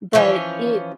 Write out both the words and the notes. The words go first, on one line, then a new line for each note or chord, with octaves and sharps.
but it
E3 F3 C#4 C#5